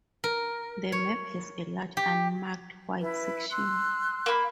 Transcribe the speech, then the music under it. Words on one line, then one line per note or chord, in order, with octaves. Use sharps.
The map has a large unmarked white section.
A#4
C#5
G4
E4 B4
C6 E6 F#6
A#3 B5